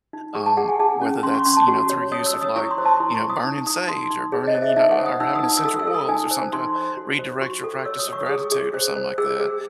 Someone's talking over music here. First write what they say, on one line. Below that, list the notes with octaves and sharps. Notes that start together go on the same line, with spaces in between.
um, whether that's, you know, through use of, like, you know, burning sage or burning you know or having essential oils or something to redirect your practice of gratitude or something like that.
D#4
G#4 C#6
A5
G#4 F#5
G#5
G#4 A5
C#4
C#4 C6
C#6
C#4 C6
A5
F#4 C6
C#5
C#5 D#6
E6
C#5
D#6
E4 C#6
C6
C5
A5
E4 C6
C#6
E4
D#6
D#4
D#4 D#6
D#4 C6
D#4
G#4 C#5
D#5
C5
E5
D#4 E5
F#5
C5
D#6
D#4 E6
D#6
D#4
E6
A4 D#6
E6
A4
D#6
D#4 G#5
C5
D#4 C6
C5
F#4
C5
F#4 C#6
A4
C#5 E6
D#6
C#5
C#6
G#4 D#6
G#4
C5
C5
G#4 E6
G#4